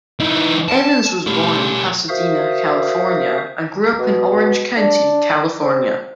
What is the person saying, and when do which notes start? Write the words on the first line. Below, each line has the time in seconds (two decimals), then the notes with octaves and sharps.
Evans was born in Pasadena, California and grew up in Orange County, California.
0.20 E3 D#4
0.69 A5
1.27 A3 G4
2.09 F#4 A#4 C5 E5 F5 D#6
3.99 B2
4.77 D4
5.62 C4